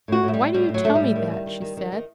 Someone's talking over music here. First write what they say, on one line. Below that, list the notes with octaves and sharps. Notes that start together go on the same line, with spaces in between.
"Why do you tell me that?" she said.
A2 F#4
A2 A3
G3
A2
A2 G3
A2
F#3
A2 A3
A2 G3
D#3
D#3
D#3
D#3
D#3
D#3